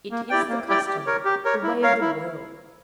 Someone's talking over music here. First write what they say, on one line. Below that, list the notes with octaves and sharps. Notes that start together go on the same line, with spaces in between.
It is the custom, the way of the world!
A#3
E4 G4 D5 G5
A#3
E4 G4 D5 G5
G4
A#4 C#5
G4
A#4 C#5
E4
A#4 C#5 F5
E4